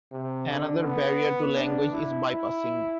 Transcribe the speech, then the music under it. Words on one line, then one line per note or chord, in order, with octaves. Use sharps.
Another barrier to language is bypassing.
C3
D3
B3
D4
E4
E4